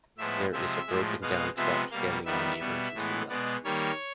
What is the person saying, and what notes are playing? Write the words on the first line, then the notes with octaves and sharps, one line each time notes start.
There is a broken down truck standing on the emergency lane.
A2 F3 G#3 B3 E5
C3 F3 G#3 E5
A2 F3 G#3
B2 G#3 B3 F5
C3 F3 G#3 B3 E5
B2 G3 A#3 F5
D#3 G3 B3 E5
B2 G3 B3
A2 E3 G#3 B3
B2 G#3 B3 D5
D#3 G3 A#3 C#5